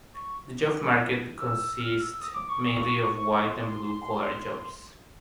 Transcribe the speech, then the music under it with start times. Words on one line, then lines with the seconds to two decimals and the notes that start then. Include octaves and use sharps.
The job market here consists mainly of white- and blue-collar jobs.
0.14 C#6
1.39 E6
1.80 F6
2.00 E6
2.21 D#6
2.34 D6
2.49 C#6
2.63 C#6
3.46 C6